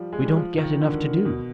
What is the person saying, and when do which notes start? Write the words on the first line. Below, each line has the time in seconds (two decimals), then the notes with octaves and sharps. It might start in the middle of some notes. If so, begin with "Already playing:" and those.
We don't get enough to do.
Already playing: F3 G3
0.13 G#3
0.25 G3
0.36 F3
0.58 D#3
0.81 D3
1.25 B2